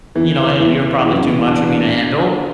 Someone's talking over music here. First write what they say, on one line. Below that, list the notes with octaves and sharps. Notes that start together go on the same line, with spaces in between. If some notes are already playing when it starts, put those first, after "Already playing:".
you know, "Hey, you're probably too much for me to handle,"
E2 E3
E2 E3
E2
F#2
E2
D4